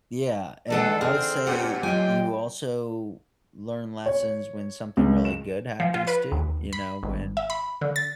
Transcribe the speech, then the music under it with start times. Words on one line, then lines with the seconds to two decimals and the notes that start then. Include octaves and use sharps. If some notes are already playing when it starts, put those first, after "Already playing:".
Yeah. And I would say you also learn lessons when something really good happens too, you know? When
0.70 D#3 G#3 D4 A4 B4 F#5
1.01 C4 G#4 A4 F6
1.47 A2 C#4 G4 F#5
1.83 F#3 F4 D#5 G5 G#5
4.06 C#5
4.97 C#2
5.25 E7
5.80 F3
5.94 F4
6.07 B4
6.32 D#2
6.73 B5
7.03 G#1
7.37 E5
7.50 B5
7.81 D3
7.96 A6